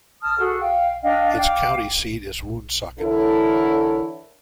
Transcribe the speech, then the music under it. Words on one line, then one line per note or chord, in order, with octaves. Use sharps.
Its county seat is Woonsocket.
A5 D#6 F6
F#4 G#4 A4
F5 G5
D4 D#5 F5 G5
F5 G5 D6
D3 E3 E4 A4 A#4 C#5